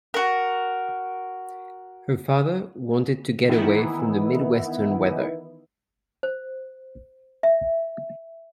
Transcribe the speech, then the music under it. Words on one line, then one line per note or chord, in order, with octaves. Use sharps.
Her father wanted to get away from the Midwestern weather.
F#4 A#4
D#3 E3 B3 D#4 E4
C5
E5